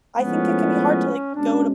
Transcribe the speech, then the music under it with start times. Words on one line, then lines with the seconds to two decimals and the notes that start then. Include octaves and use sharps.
I think it can be hard to, like, go to
0.18 A2 F3 G#3 B3 C#4
1.34 B2 G#3 C#4 D4